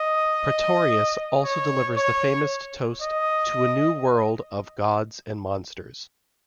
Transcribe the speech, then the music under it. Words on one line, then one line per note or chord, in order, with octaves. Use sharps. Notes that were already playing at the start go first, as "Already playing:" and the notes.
Pretorius also delivers the famous toast To a new world of gods and monsters!
Already playing: D#5
C#5
C#5
D#5